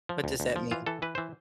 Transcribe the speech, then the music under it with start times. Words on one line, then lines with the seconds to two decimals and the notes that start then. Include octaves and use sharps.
What does that mean?
0.09 F3
0.24 D2
0.40 D2
0.56 F3
0.71 E3 F4
0.86 E3 A4
1.02 E3 B4
1.15 E3 C5